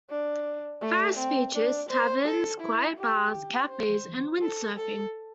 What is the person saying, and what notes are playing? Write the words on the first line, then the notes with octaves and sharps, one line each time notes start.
Faris features: taverns, quite bars, cafes, and windsurfing.
D4
A3
C4
D4
C5
A4
E4
G4
C5
A4
A4